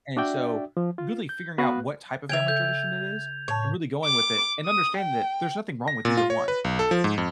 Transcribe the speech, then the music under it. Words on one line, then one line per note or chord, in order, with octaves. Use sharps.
And so really figuring out what type of family tradition it is and really going with it and understanding that there's nothing wrong with either one,
D4 F#4 D5 E5 G5
F3
F4
G6
B3 F#4 B4 F5 F#6
C#3 E5 G5 G#6 F7
A4 G6
A2 C#5 A5
D6
D#6
G5
A#6
A#2
F4
C#5
B4
B1
A4
F3
G#2
F2